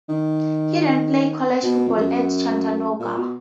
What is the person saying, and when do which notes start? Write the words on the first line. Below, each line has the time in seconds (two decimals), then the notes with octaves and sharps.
He then played college football at Chattanooga.
0.09 D#3
1.63 B2
1.88 F2
1.97 F#2
2.99 A#2
3.17 B2